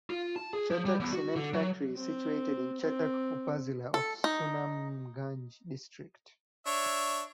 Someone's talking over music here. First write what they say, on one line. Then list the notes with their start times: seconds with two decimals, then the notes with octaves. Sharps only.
Chhatak Cement Factory is situated in Chhatak Upazila of Sunamganj district.
0.10 F4
0.36 A5
0.53 G#4
0.71 F3
0.85 G3
1.00 E2
1.13 F#4
1.36 D3
1.53 F#3
1.96 C4
2.80 C4
3.94 A4
4.24 D#4
6.66 D4 C#5 E5